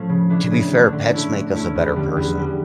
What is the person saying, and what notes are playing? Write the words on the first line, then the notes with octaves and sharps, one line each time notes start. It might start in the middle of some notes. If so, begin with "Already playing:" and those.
To be fair, pets make us a better person.
Already playing: A2 F3 A3 C#4
C#3
E3 A3 D4
C#3
E3 A3 D4
D3
A3 C#4 E4
D3
A3 C#4 E4
E2
D3 G3
E2
D3 G3